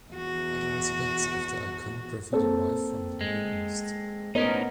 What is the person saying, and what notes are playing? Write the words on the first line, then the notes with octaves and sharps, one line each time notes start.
Other aspects of the iconography derive from the Near East.
E2 F#4
A#3 C4 A4
G#3
A2 B3 C#4 D#4 A#4 C5 D#5